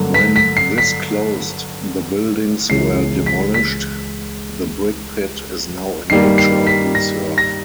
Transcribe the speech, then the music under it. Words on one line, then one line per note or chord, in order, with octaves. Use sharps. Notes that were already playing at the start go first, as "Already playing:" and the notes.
When this closed the buildings were demolished; the brickpit is now a nature reserve.
Already playing: G2 D3 F#3 A#3
B6
B6
C7
B6
C#2 C#3 E3 C7
B6
B6
G2 D#3 G3 A#3 C7
C7
B6
A#6
A#6